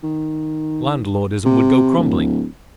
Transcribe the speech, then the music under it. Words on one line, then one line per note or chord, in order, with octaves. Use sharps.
Landlordism would go crumbling.
D#3
C3
D1